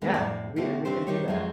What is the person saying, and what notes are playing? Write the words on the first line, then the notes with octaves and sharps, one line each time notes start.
Yeah, we and we can do that.
D#2 G#3 B3 F#4 B4
F2 A2 D5
B2 D3 A3 G4
C#3 C4 D4 G4 C5
D#3 D4 D#4 G4 C5 C#5
F2 F#3 G#3 C4 F4